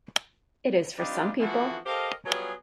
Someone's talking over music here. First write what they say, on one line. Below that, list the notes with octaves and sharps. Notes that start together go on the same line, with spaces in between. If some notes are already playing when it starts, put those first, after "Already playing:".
It is for some people.
G3 C4 D4 D#4 F4 G4
D3 E3 F3 E4 F#4 G#4
G4 A4 A#4 C5 D#5 F5
F#3 G3 B3 F4 G#4